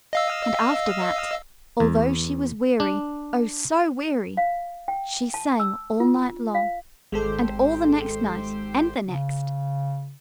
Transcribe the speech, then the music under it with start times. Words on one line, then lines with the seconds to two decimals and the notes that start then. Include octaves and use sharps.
And after that, although she was weary, oh, so weary! she sang all night long, and all the next night and the next.
0.13 D#5 F5 E6
1.80 E2
2.80 D4
4.37 F5
4.88 G5
5.34 A5
5.60 E6
6.00 F4
6.55 F5
7.12 G#1 G#3 G4 A4 C5
9.05 C#3